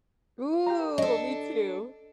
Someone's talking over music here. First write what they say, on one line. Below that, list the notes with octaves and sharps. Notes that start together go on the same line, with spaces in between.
Ooh, me too.
G4 F5 A#5
D4 A4 D#5